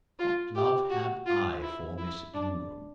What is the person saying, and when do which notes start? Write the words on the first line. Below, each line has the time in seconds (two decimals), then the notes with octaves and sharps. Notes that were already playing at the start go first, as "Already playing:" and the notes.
What love have I for Miss Ingram?
0.19 F4
0.55 G4
0.90 F#4
1.26 F4
1.62 E4
1.98 E4
2.33 D4